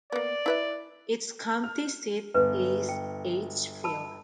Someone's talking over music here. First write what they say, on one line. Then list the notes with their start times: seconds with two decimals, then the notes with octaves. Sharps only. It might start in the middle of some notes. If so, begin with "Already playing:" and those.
Its county seat is Edgefield.
0.12 A#3 B3 D5
0.46 E4 B4 E5
1.64 F6
2.34 G1 B4
2.89 G5
3.84 A5 B5 E6